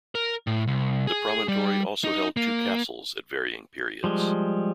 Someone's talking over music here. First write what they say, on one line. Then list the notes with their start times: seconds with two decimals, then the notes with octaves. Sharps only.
The promontory also held two castles, at varying periods.
0.15 A#4
0.47 A2
0.67 C2
1.07 G#4
1.48 G3
2.04 D#4
2.37 A#3
4.04 F3 G3 G#3